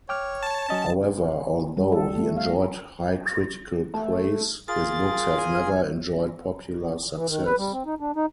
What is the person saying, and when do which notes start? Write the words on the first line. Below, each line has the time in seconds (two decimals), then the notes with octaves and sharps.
However, although he enjoyed high critical praise, his books have never enjoyed popular success.
0.09 C#5 G5 D6 F6
0.43 A5
0.69 F#3 C#4 D#5 A6
1.77 G3
1.92 A4
2.16 A3
2.37 F5
3.94 A3
4.68 F4 G#4 A#4 A6
5.38 G#5
7.17 E3
7.29 D#3
7.46 B4
7.58 G3
7.73 C4
7.86 D#4
8.00 D4
8.16 D#4